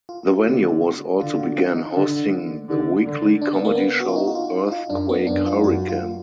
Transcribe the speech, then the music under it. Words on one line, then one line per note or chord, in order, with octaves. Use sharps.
The venue also began hosting the weekly comedy show "Earthquake Hurricane".
F4
F4
F#4
D3
D3 F4
F4
F#4
F4
D#4
D#4
D3 D4
D3
D3
D4
B3
A#3
B3
F#4
F4
D#4
F#4
F4
D#4
F4
F#2 D4
B3
F#2 D4
F4
F#2 F#4
F4